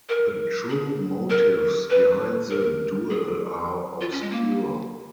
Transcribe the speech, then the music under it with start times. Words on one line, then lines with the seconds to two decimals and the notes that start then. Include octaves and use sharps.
The true motives behind the duel are obscure.
0.09 A#4
0.70 G#4
1.30 A#4
1.90 B4
2.50 A#4
3.10 G#4
4.01 F4
4.12 C#4
4.21 G#3
4.31 A#3